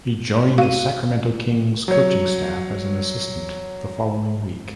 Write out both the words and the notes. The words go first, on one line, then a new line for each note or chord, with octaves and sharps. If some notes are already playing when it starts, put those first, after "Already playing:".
He joined the Sacramento Kings' coaching staff as an assistant the following week.
F#4 F5 D#7
F#3 C#5